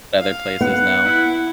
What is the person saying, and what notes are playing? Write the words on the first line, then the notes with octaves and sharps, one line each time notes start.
Other places now.
F5
B3 F#5
E4